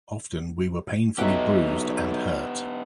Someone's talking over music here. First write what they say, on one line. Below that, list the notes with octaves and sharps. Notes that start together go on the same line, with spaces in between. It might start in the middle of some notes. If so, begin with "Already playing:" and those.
Often we were painfully bruised and hurt.
B1 B3 D#4 G4 E5 F#5